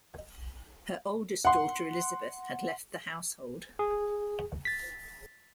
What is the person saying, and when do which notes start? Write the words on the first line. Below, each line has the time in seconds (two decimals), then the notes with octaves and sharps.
Her oldest daughter, Elisabeth, had left the household.
1.45 F#5 C6
3.79 G#4
4.65 A6 B6